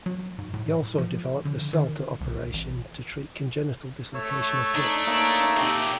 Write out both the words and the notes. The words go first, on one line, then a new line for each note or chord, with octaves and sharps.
He also developed the Salter operation to treat congenital dislocation of hip.
F#3
G#2
A2
F3
D3
D#3
C2
A1
A3 C#5 E6
D4 D#4
A#3 D#4 C#5 E5
A#2 C4 G4 A4 E5